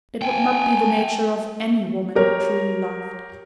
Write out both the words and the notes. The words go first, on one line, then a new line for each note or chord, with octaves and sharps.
"It would not be the nature of any woman who truly loved."
G5 G#5
G4 A#4 C#5